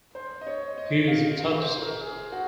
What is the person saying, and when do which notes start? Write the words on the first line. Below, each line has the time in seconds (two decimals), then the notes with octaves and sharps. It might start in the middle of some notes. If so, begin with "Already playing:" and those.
He is a Tutsi.
0.15 C5
0.41 D#5
0.47 C#5
0.78 D#5
1.08 F5
1.40 F5
1.59 C5
1.81 A#4
2.01 G#4
2.32 F#4